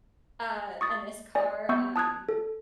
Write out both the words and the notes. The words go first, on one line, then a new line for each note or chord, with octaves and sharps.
Uh, and this car, um,
C#6 D#6 A6
D5 G#5
B3 E5 C#6 E6 G6
A5 D#6 F#6 G#6
A4